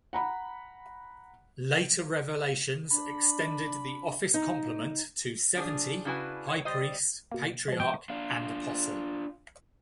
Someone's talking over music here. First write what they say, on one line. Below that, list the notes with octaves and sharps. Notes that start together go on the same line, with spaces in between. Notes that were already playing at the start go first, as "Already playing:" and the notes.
Later revelations extended the office complement to Seventy, High Priest, Patriarch and Apostle.
F#5 A#5 B5
D4 B5
D#4 A#5
F3 D4 G#4
C#3 D4 E4 F#4 B4 G#5
C#5
G3 C5 D#5
B2 A#3
F3 G#3
G5
D4 F4